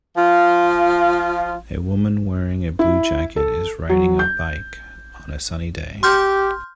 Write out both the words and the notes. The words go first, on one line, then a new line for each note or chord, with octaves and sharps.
A woman wearing a blue jacket is riding a bike on a sunny day.
F3 F4
E4
A4
F#3
G6
G4 C6 F6 G6